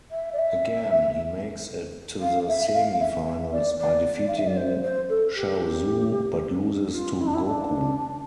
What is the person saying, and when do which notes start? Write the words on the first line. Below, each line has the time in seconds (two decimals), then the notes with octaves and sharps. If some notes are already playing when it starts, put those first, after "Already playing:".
Again, he makes it to the semi-finals by defeating Chaozu, but loses to Goku.
0.11 E5
0.33 D5
0.38 E5
2.20 F5
2.48 E5
2.73 F5
3.00 E5
3.25 E5
3.52 D5
3.78 D5
4.28 F5
4.37 E5
4.47 D5
4.56 C5
4.82 C5
5.09 A4
5.35 G4
6.92 F4
7.19 E4
7.26 D4
7.34 E4
7.45 D4